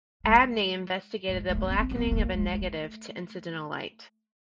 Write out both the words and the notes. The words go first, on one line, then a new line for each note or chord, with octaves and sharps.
Abney investigated the blackening of a negative to incidental light.
G#3
G#3
A3
C#4
C4
B3
A3
A#3
G#3
A3